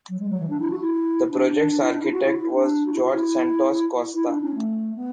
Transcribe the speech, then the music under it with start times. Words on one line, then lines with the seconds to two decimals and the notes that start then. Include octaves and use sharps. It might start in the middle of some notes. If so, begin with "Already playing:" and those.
The project’s architect was Jorge Santos Costa.
0.09 F#3
0.20 G#3
0.30 F#3
0.39 E3
0.49 D4
0.60 E4
0.70 F#4
0.80 E4
1.31 D4
1.51 D4
1.71 D4
1.81 E4
1.92 D4
2.02 E4
2.12 F#4
2.26 E4
2.39 E4
2.53 D4
2.86 F#4
2.93 E4
3.03 F#4
3.13 E4
4.14 E4
4.28 D4
4.41 C#4
4.55 A3
4.95 B3